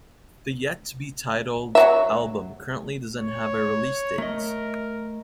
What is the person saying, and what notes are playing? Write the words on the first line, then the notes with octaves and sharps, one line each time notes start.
The yet-to-be titled album currently doesn't have a release date.
F#3 E5
C#5
A3 A#4 D#5